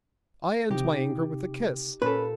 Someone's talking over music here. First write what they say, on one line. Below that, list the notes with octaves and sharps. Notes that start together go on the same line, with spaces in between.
I end my anger with a kiss.
C3 D#4 G4
A#2 C#4 A4 B4 B5